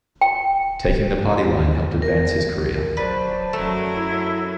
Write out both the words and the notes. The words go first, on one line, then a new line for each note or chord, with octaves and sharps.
"Taking the party line" helped advance his career.
G5
A#4
F#3 B4 C5 D5 A5
F#2 F#3 A3 A#4
E4